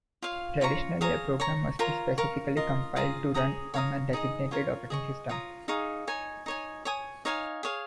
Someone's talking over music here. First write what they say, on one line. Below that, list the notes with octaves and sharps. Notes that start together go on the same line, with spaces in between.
Traditionally, a program must be specifically compiled to run on a designated operating system.
F4 C#5 F5
F4 C#5 A#5 C#6
G#4 C#5 F5 A#5
C#5 A#5 C#6
F4 A#4 C#5 A#5
A#4 F5 C#6
F4 A#4 D#5
F4 G#4 F5 A#5
G#4 C#5 A#5 D#6
C#5 F5 A#5 D#6
D#4 G#4 D#5
F4 A#4 C#5
G#4 D#5 C#6
F4 C#5 A#5 D#6
D#4 G#4 F5 C#6
D#4 C#5 G#5
D#4 C#5 G#5
C#5 G#5 D#6
D#4 C#5 F5 G#5
G#4 C#5 F5